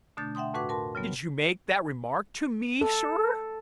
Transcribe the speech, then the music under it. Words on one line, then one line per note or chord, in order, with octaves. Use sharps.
Did you make that remark to me, sir?'
B2 D3 A3 D4 G6 A6
E5 F#5 G5 C6 D#6
F2 A2 F#4 B4 F#5 D6
A#4 A5 C6
C#3 F#3 G3 B3
A4